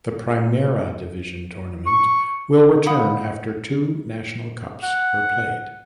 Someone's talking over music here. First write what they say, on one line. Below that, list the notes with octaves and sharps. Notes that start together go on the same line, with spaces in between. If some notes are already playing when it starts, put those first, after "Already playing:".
The "Primera Division" tournament will return after two national cups were played.
C#6
F5 F#5 B5 D#6
F#5